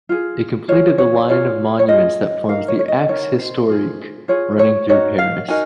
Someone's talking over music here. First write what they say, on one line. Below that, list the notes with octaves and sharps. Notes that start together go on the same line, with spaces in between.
It completed the line of monuments that forms the "Axe historique" running through Paris.
F4 G#4
F4 G#4 C#5
C#5
F4 G#4 C#5
C#5
F4 G#4 D#5
D#4 A#4 F5
C#5
C#5
D#5
D#4 A#4 C#5
C5
F4 G#4
F4 G#4 C#5
C#5
D#4 F#4 A#4 C#5
F5
D#4 F#4 A#4 G#5